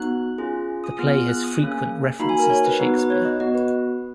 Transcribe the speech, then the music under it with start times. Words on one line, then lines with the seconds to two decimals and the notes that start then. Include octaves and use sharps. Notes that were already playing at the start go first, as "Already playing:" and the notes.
The play has frequent references to Shakespeare.
Already playing: B3 D#4 F#4 F#6
0.38 C#4 F4 G#4
0.84 D#6
0.99 B3 F4 G#4 F6
1.28 F#6
1.44 D#6
1.58 A#3 C#4 G#4
2.19 A#3 D#4 F#4 B5
2.29 G#5
2.39 A#4
2.50 C#5
2.65 B4
2.80 B3 D#4 F#4 B4
2.99 B4
3.10 C#5
3.25 D#5
3.40 B3 F#4 D#5
3.55 B4